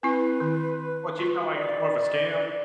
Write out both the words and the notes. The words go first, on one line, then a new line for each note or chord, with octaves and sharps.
But you felt like it was more of a scam?
C4 E4 B4
D#3
F4 F#4
D5